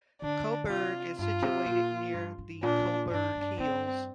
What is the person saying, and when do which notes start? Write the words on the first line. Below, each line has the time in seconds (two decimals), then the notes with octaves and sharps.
Coburg is situated near the Coburg Hills.
0.22 D3 D4
0.70 C3 F4
1.19 G2 F4
1.42 C3
1.66 A#2
2.14 G2
2.38 G2
2.63 A#2 D4
3.11 G2 D4
3.35 G2
3.58 G2 C4